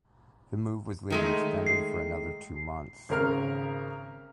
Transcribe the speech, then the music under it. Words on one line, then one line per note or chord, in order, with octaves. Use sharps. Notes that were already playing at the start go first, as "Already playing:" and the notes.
The move was later extended for another two months.
D#3 G#3 A3
C7
G#1 C#3 A#4 F6